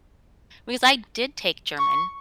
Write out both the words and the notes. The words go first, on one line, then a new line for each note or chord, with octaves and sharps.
because I did take German
C#6